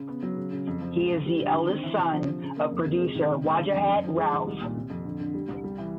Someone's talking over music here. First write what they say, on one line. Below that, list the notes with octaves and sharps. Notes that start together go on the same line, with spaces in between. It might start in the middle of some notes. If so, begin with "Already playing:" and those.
He is the eldest son of producer Wajahat Rauf.
Already playing: C#3
B3
F#3
C#3
C#3
F2
F3
C#2
C#2
G3
D3
D#3
C4
E3
C3
F3
D3
C#3
A#3
F2
C3
G#3
D#3
B2
C#2
D3
F2
F#2
F3
G#3
D#3
C2
A#2
C3
F2
D3
D3
G3
C2
G3
E3